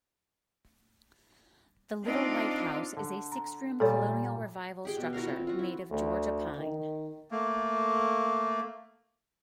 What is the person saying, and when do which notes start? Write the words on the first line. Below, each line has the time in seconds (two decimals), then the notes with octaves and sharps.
The Little White House is a six-room Colonial Revival structure made of Georgia pine.
2.04 C4 D4 D#4 F4
2.97 D3
3.32 A#5
3.80 A#2 G3 A4 C#5
4.85 G4 G#4 G5
4.97 B2
5.13 E4 F#4 A#4 F5
5.26 C4 F4 A4
5.47 F4 F#4
5.59 E4
5.91 D2
6.58 D#3
7.31 A3 A#3